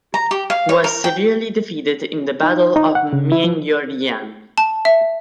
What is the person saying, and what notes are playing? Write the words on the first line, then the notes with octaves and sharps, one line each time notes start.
He was severely defeated in the Battle of Myeongryang.
A#5
G4
F5
C#5
A#4
G5
D#4
D#4
F#5
C#3
E4
F3
A5
E5